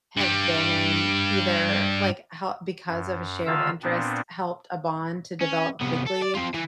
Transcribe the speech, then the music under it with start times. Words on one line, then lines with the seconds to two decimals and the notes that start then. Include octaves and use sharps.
have been in, either like, how because of a shared interest, helped a bond to develop quickly,
0.17 G2 G3
2.88 F#2
3.46 D3 D#3 F4 F5 E6
3.83 A#2 B3 C4 D4
5.41 C#4
5.81 C2 B3
6.06 A4
6.22 D5
6.35 C4 F4
6.54 E3